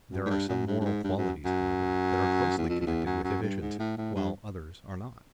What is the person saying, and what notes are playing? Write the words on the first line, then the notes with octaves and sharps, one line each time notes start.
There are some moral qualities, however, that are closely connected with efficiency, while others are not.
F#2
G#2
G2
F#2
G2
G2
G#2
G2
F#2
F#2
E2
F2
F2
E2
F#2
F#2
G2
G#2
A2
A2
G2